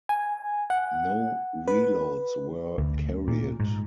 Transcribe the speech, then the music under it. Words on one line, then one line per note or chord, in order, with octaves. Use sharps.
No reloads were carried.
G#5
F#5
B4
D2
A#2
G#2